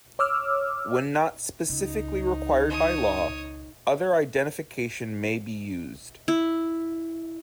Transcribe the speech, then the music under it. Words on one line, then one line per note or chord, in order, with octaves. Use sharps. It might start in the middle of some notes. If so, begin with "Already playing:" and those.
When not specifically required by law, other identification may be used.
C#5 D6 E6 F6
C#2 D#4
C#5 D#6
E4